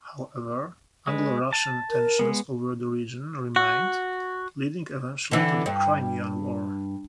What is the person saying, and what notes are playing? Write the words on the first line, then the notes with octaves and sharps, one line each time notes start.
However, Anglo-Russian tensions over the region remained, leading eventually to the Crimean War.
G#3 B4
A5
A#4
G#3 B3
F#4
D3 E3
G2